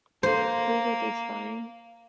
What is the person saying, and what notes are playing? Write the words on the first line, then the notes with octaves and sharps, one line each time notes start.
Who were they spying?
A#3 C5